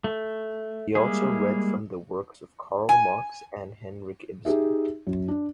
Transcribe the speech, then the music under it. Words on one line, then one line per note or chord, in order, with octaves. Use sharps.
He also read from the works of Karl Marx and Henrik Ibsen.
A3
G3 G#3 A#3 E4 G#4
G#5
D#4 G4 G#4 E5
F#2
D4